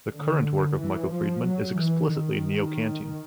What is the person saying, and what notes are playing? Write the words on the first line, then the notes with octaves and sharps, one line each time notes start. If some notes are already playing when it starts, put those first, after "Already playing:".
The current work of Michael Friedman is explicitly neo-Kantian.
D3
E3
F3
F#3
E3
D#3